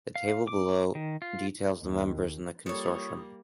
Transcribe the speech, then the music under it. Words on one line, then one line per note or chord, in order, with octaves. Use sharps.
The table below details the members in the consortium.
F5
D6
D#3
F4
D#2
G3 A#3 F4 A4 C#5 D#6